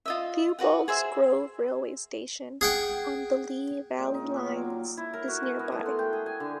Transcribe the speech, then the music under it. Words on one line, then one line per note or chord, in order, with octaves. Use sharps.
Theobalds Grove railway station, on the Lea Valley Lines, is nearby.
F4 D#5 E5
F#4 B4 F#5
G#4 C5 E5
G#4 F#5 G5
A#2 G#3 G5
D#4
C#5 E5 F5
F#3 D#4 F4 C#5
F#3 D6
E4
A#4
F#4
G#5
B3
A3
C6
G5
G#4
G#5
D3